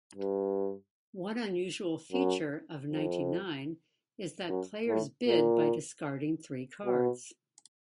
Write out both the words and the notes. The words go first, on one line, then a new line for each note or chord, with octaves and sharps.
One unusual feature of ninety-nine is that players bid by discarding three cards.
G2
F#2
F2
F#2
A2
A#2
B2